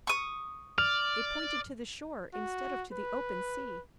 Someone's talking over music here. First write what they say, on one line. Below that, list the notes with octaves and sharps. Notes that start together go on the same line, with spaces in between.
It pointed to the shore instead of to the open sea!
C#6 D#6
D5 F6
F#4
B4